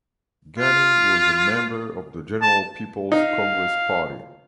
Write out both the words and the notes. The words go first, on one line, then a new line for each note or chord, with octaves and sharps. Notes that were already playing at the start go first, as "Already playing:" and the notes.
Ghani was a member of the General People's Congress party.
F4
A5
D#4 F5